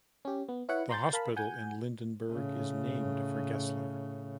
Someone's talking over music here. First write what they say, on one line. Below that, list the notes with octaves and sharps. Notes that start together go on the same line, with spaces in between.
The hospital in Lindenberg is named for Gessler.
C#4 G4
B3
E4 B4 C#5 F#5
A#5 C6 G6 A6
A#4 F5 A5 B5
F#5 G#5 G6
A2 C#3